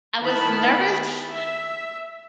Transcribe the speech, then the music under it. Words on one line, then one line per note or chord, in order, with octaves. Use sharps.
I was nervous
D#3 B3 E4 A5 B5
E5